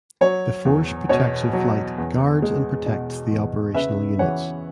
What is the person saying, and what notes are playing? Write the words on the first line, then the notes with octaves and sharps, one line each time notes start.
The force protection flight guards and protects the operational units.
F#3 C#5
E2
B2 C#5
F#3
E2
G#3
B2
E2
C#3 B4 E5
E3 C#5 F#5